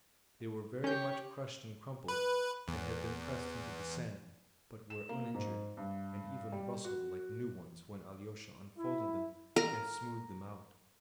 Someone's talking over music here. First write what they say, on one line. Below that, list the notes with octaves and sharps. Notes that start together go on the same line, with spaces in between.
They were very much crushed and crumpled, and had been pressed into the sand, but were uninjured and even rustled like new ones when Alyosha unfolded them and smoothed them out.
C#4 G4 C#5 G6
B4
E2
E7
A#3
G#2
G2
G3
F#4
E4
A#4